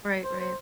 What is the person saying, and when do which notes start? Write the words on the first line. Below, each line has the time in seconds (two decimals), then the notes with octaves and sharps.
Right. Right.
0.24 C5
0.40 C5